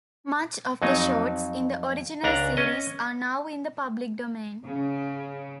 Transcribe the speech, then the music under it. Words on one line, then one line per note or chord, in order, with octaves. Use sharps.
Much of the shorts in the original series are now in the public domain.
F2 F#3 D#4
C#2 D4 F#5 A#5
C#4 D#5
C#3